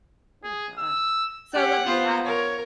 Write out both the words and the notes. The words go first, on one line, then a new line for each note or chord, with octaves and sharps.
Ooh gosh. So, let me a
G#4
E6
G4 F#5
B3 F4 C5
A#4 C#5